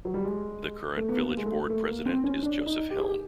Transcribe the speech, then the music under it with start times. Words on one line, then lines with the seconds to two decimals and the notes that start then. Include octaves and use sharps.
The current Village Board President is Joseph Helm.
0.05 F#3
0.14 G3
0.24 G#3
0.97 A3
1.09 B3
1.21 A#3
1.37 G#3
1.46 A3
1.70 A3
1.88 A#3
2.06 C4
2.24 C#4
2.43 D4
2.66 D#4
2.90 G4
2.99 G#4
3.07 G4